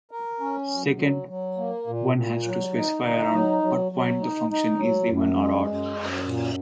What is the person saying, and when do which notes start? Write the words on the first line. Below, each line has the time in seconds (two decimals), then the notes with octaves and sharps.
Second, one has to specify around "what point" the function is even or odd.
0.11 A#4
0.40 C#4
0.69 F#2
0.99 F#3
1.28 F#3
1.58 A#3
1.87 A#2
2.16 A#2
2.45 F#3
2.74 D#4
3.04 D#4
3.32 F#3
3.63 F#3
3.92 F#3
4.21 D#4
4.50 D#4
4.79 F#3
5.09 F#2
5.37 G#3
5.67 F#2
5.97 F#2
6.25 A#2